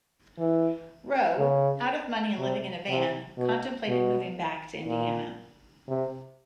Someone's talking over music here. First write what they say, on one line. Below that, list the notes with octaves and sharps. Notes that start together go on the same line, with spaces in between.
Roe, out of money and living in a van, contemplated moving back to Indiana.
E3
C#3
C3
C3
B2
B2
A#2
C3